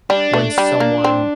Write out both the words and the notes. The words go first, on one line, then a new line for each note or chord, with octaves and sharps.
when someone
G3 D4
A3
G3
A#3
C4